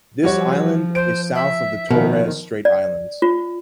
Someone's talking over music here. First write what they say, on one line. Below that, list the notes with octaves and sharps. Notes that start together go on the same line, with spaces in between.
This island is south of the Torres Strait Islands.
F3 G3 F#4 C#5
C5 D7
E5
B2 D#3 F3 A#4
D5
F4